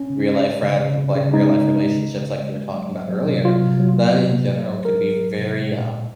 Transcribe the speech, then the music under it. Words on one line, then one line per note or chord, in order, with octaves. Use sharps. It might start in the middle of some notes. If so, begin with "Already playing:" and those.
real life frien like, real life relationships like you were talking about earlier, that in general can be very, um,
Already playing: C#4
C#3
G#3
G#3
C#3
C#3
C#3
C#3
G#3 D#4
C#3
G#3
C#3
C#3
C#3
G#3
G#3
F#3
F#3
F#3
C3
F#3 F4
C3
F#3
F#3
C3
F#3
F#3
F#3
F#3 A#4
F#3
F#3
C3
G#3
A#2
A#2